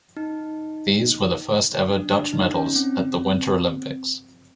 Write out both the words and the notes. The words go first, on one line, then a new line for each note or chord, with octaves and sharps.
These were the first-ever Dutch medals at the Winter Olympics.
D#4
D4
D4
D#4
C#4
C4